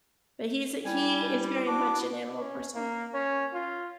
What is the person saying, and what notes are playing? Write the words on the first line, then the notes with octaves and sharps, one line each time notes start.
But he's he is very much an animal person.
G3 E4 G#5
B3 D4 F#4 D6
C#4
A#3
C#4
F4